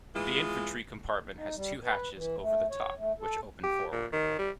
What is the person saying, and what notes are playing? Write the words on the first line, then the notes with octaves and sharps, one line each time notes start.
The infantry compartment has two hatches over the top, which open forwards.
E3 G#3 B3 F4
D#4
G3
B4
E3
A3
C#5
A3
A4
G4
A#2
D#3
G3